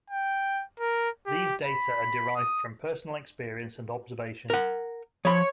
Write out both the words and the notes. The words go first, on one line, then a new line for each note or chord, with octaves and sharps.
These data are derived from personal experience and observations.
G5
A#4
G4
B5
D#6
A#4 F#5
F3 C#5 B5